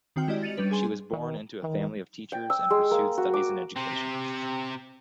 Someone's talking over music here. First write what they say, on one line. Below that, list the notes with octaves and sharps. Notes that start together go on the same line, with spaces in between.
She was born into a family of teachers and pursued studies in education.
D#3 C4 F#4 G5 F6
G#3 E4 G4 D5 D#5
A6 C#7 D#7 F7 F#7
G3 C#4 D4 B4
G#4 G#5 C6
G5
E6
G#3
A#3
F#4
D6
C3 C4